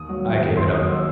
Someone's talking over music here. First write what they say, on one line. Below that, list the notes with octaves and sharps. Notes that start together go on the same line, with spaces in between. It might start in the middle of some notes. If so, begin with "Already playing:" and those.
I gave it up.
Already playing: D#2 D#6
F#3
D#3
D#2
D#2 C6
F#3 D#6
D#3 E6